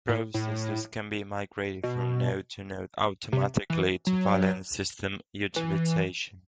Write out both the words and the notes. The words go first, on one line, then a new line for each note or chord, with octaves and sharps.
Processes can be migrated from node to node automatically to balance system utilization.
A2
A2
B2
C3
E3
F#3
E3